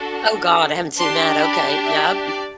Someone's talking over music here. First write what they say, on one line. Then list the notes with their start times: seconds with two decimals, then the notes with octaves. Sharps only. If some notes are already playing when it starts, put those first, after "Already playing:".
Oh god, I haven't seen that, okay, yep.
Already playing: D4 F#4 A4
0.98 D4 G4 C6
1.41 B5
1.84 E5
2.27 D5